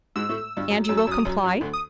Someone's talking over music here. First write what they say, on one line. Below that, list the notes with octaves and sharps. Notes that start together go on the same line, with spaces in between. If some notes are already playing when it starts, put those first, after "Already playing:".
"And you will comply?"
G#2 G#3 E6
A2 A3
G2 G3
F#2 F#3
E6
F#2 F#3
E6
F#2 F#3
D#6
F#2 F#3
F#2 F#3
D2 D3
D#6